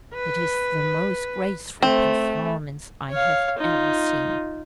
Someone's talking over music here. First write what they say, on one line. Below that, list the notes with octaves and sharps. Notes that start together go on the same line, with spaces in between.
It is the most graceful performance I have ever seen.
B4
A3 C4
C#5 F5
D#4 F4